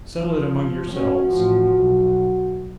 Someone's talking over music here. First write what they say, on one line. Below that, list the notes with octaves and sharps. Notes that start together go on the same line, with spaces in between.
'Settle it among yourselves.
F3
C#4 F#4
A1 F3
B1